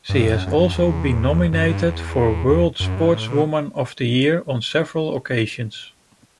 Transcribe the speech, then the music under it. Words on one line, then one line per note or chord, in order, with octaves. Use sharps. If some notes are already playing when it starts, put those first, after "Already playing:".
She has also been nominated for World Sportswoman of the year on several occasions.
G2
E2
F#2
F#2
F#2
E2
F#2
G2
E2
E2
F#2
G2
A2
B2